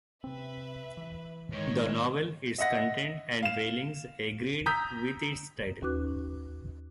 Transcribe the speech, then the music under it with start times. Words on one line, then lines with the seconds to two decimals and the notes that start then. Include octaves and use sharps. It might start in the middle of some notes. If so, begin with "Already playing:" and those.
The novel, its content and feelings agreed with its title.
0.24 C3 C4 B4 E5
0.97 E3
1.53 G#2 D#3 C#5
2.58 D#5 E5 F#5 A#6
3.43 F5 E7
4.66 A#5 D#6 E6 G6 B6
5.82 D#2 C#4 F#4 B4 D6 F#6